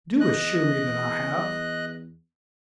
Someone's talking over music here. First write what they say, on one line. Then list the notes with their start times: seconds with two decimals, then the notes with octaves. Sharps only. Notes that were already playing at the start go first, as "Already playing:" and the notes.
Do assure me that I have.
0.20 E2 D#5 F#6